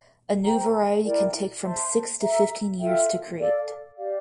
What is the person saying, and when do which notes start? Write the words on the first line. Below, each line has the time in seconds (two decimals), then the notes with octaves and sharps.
A new variety can take from six to fifteen years to create.
0.44 C5 G5 A#5
1.04 E4 A#4 D5 G5
1.61 C5 E5 A5 C6
2.20 A4 E5 A#5
2.79 F4 A4 E5 G5
3.37 A4 D5 F5
3.97 G4 D5 F5